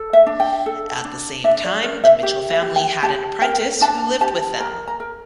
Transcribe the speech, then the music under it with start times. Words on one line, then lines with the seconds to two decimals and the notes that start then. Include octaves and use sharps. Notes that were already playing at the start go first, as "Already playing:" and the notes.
At the same time, the Mitchell family had an apprentice who lived with them.
Already playing: A4
0.13 E5
0.27 D4
0.40 G5
0.66 A4
1.05 D4
1.44 D4 E5
1.64 D5
1.83 A#4 D5
2.04 E5
2.23 G4 E5
2.50 E5
2.62 G4
2.76 G5
3.03 G4 A5
3.41 A#4 G5
3.81 D4 A5
4.21 G4 A5
4.60 A#4 A#5
4.87 A#5
5.00 A#4